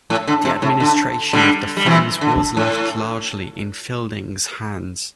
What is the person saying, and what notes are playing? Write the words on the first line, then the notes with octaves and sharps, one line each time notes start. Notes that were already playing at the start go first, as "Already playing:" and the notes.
The administration of the funds was left largely in Fielding's hands.
A2
D3
C3
A2
D3
D3 G3
G3
C3 E3
D3
A2